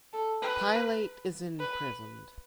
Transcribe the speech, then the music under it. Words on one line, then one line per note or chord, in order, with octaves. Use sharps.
Pilate is imprisoned.
A4
B4
B4